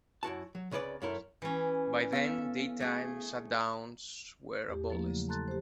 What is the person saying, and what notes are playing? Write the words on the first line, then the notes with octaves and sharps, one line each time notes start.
By then, daytime shutdowns were abolished.
F#2 E4 F#4 A5
F#3
C2 C#3 B4 C#5 D5
F#2 A3 E4 A#4
E3 C#4
B3 A4 E5 F5
A3 G#4
E2 G4
F3 A3 A#3 E4
C#3 F#3
A4 A5 A#5 C6 F#6 A6
G4 C5